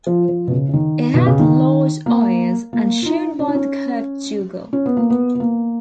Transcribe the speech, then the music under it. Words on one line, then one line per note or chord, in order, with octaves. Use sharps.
It had large eyes as shown by the curved jugal.
F3
F3
B2
C#3
C#3
D#3
B2
C#3
D#3
A#3
A#3
F4
D#4
C#4
D#4
C#4
C#4
B3
A#3
B3
B3
A#3